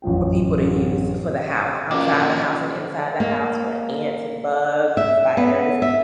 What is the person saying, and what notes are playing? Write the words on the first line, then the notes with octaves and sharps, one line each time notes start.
for people to use, for the house outside the house and inside the house for ants, and bugs, and spiders,
A1 F#2 F3 G5
F3 A#3 C#4 D4 F#4 B4 D6
A#3
E5
B3
E5